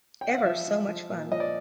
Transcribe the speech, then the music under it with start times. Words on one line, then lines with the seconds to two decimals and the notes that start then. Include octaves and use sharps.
Ever so much fun.
0.21 G5
0.30 F#5
0.38 F5
0.45 F3 E5
0.67 F3
0.88 F3
1.09 A#2
1.32 F3 D#5
1.40 D5